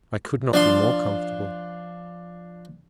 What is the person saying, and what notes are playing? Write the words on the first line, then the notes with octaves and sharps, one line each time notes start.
"I could not be more comfortable."
F3 D4 F5 C6